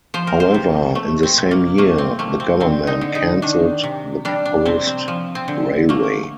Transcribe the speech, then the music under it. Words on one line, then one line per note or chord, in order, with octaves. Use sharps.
However, in the same year the government cancelled the proposed railway.
F3 C5
A#4
C5
C3
A3
C4
C3
A#3
A3 A#3
C4
A3 A#3
C4
D3 C4
D#4
D3
D#4
D#3 D4
C3
G3 D4
D4
C3 C4
C4
F3
C4
D3
A3 A#3